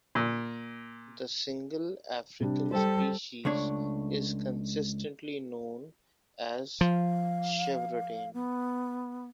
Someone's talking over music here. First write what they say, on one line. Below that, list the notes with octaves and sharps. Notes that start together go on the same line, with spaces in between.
The single African species is consistently known as "chevrotain".
A#2
C3 G3 D4
G3 A4 C5 G5
C#2 A3 D4 C#5
F3 F5
B3